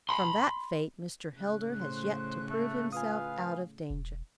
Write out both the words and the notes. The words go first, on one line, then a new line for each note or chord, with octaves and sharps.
From that fate Mr. Heldar has yet to prove himself out of danger.'
B5 C6
A2 C#3 F#6
C5
A3
F4 B4 F5 G#5 D#6
E1